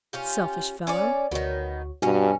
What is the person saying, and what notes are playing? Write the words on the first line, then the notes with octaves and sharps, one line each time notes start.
"Selfish fellow!"
C#4 F4 G4
C#4 C#5 D5
D2 D#3 B3 F#4 C#5
G2 B2 C#4 F#4